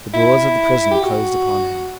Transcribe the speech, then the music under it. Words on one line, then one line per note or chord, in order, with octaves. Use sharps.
The doors of the prison closed upon him.
E4
G4
F#4